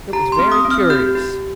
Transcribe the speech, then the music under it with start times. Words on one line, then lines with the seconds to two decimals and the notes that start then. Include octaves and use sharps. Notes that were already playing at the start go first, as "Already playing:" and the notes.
It was very curious.
0.13 G4 A#5
0.32 C6
0.39 C4
0.52 D#6
0.65 C4
0.71 F6
0.90 G4 G6
1.15 G4